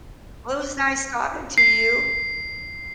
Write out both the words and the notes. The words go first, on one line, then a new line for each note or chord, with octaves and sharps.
Well, it was nice talking to you.
C7